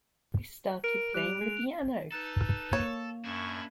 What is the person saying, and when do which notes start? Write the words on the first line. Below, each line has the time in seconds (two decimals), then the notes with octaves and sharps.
I started playing the piano.
0.84 A#4 D7
1.14 G3 F#6 F7
1.41 G#3
2.12 D#4 A4 B4
2.73 A#3 A4 C#5
3.25 F#2 D4 E4 C#6